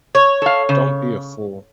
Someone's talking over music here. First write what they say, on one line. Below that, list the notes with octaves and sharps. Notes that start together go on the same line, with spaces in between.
Don't be a fool.
C#5
A4 F5
C#3